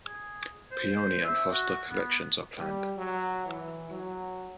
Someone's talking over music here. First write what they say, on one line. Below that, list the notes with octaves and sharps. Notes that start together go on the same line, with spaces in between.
Peony and hosta collections are planned.
G#4
C5
E5
F#4
B3
G3
F#3
E3
F#3